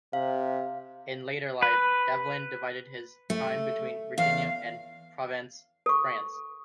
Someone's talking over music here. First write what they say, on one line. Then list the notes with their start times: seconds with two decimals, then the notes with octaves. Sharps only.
In later life, Devlin divided his time between Virginia and Provence, France.
0.13 C3 F5
1.62 B4
3.30 A3
4.18 E2 F5
5.86 A4 C#6